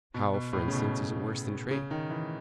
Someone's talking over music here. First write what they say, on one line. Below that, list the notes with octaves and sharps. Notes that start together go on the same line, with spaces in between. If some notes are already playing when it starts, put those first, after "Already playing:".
How, for instance, is it worse than trade?
B2
B2
A2
C#3
B2
C#3
D#3
E3